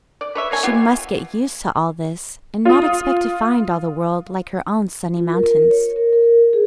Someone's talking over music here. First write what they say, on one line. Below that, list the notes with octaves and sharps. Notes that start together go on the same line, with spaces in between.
She must get used to all this, and not expect to find all the world like her own sunny mountains.
D5
B4 C#5 E5
A#3 C#5 G#5
B3 F4 G4
F4 D#6
F4
A#4
C#5
A#4
A#4
G#4